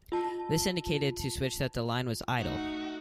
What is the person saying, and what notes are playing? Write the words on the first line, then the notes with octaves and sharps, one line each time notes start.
This indicated to switch that the line was idle.
F4 A5
A3 D#4 F#4